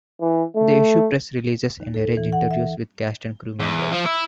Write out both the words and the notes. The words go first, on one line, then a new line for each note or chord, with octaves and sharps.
They issue press releases and arrange interviews with cast and crew members.
E3
A3
D#2
A4
E3
F#5
E5
E2
F3
E4